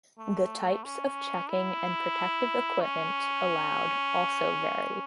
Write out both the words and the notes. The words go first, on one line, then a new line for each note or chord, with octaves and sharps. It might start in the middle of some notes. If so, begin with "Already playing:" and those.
The types of checking and protective equipment allowed also vary.
A3
C#4
E4
C#4